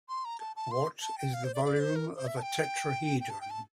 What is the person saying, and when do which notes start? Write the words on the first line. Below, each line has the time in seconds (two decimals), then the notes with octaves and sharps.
What is the volume of a tetrahedron?
0.09 C6
0.25 A#5
0.40 A5
0.56 A5
0.71 C6
1.02 A5
1.18 G5
1.34 F5
1.44 C5
1.54 D5
1.65 D5
1.80 C5
1.96 A#4
2.17 C5
2.27 E5
2.37 A5
2.42 G5
3.20 G5
3.30 A5
3.41 G5
3.50 A5